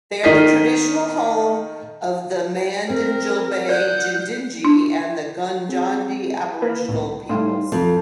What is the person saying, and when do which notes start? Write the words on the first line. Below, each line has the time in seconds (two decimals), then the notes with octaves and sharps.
They are the traditional home of the Mandingalbay Yidinji, and the Gungandji Aboriginal peoples.
0.23 D#3 A#4 D#5 B6 C7
2.90 C4 A#4
3.69 D5 F#5 G6
4.65 D4
5.69 C4 G#4
6.62 A#3 B4
6.88 C2 A2
7.29 A2 G3 D#4 F5 C6
7.72 B1 F2 F3 A4